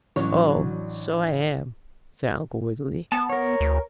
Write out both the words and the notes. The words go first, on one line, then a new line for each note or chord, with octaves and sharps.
"Oh, so I am," said Uncle Wiggily.
A1 F#3 D4 C#5
B3 A5
A#4 C#5
D2